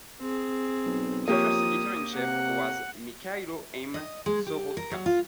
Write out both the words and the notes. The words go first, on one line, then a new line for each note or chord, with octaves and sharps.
The first editor-in-chief was Mykhailo M. Soroka.
C4 G#4
B1
F3 A#3 G4 C#5 D#6
C3 F#5
D#5
G#3
G4
A#4
F#3
F4